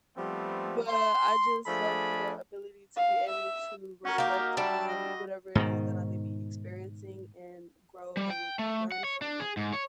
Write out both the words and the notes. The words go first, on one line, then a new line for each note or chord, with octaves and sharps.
but I just love the ability to be able to reflect on whatever it is that I may be experiencing, and grow, and learn from it.
F3 G3 A3 B3 C4
C6
F3 A3 D4 G#4 B5
F5
E5
C#4 F#4 A#4
A#3 D#4 G4
G3 D4 E5 A5 B5
D#5
G#2 B2 D#3
G3
G5
A3
F#5
C#5
D4
G#4
G#2
C#5